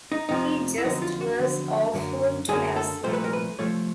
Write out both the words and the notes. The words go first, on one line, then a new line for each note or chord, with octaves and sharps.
He just was awful to Nelson.
D#4
F2 C3 F3 D#4
E4
F2 D3 F#3 B3 D#4
F4
F#4
F2 D3 F#3 B3
F#2 D3 F#3 A#3
F#2 D3 F#3 A#3 G#4
A4
C2 A#2 F3 A3 C5
B4
A#4
B4
C2 A#2 F3 A3 C#5